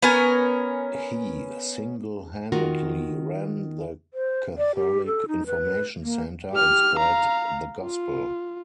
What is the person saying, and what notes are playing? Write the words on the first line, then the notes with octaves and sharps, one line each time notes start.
He singlehandedly ran the Catholic Information Centre and spread the Gospel.
B3 C#4 A#4 G#5
D#3 F4 F#4 A#4
C5
D5
G4
A4
D#4
B4
A#3
G4 F6
F5 A#5
F4